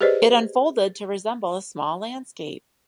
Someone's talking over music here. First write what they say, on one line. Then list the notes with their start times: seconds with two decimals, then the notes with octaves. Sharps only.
It unfolded to resemble a small landscape.
0.01 G4 G#4 B4 C5 D5 D#5